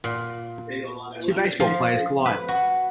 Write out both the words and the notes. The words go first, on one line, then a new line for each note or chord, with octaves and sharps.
Two baseball players collide.
A#2
F3
B4
F#4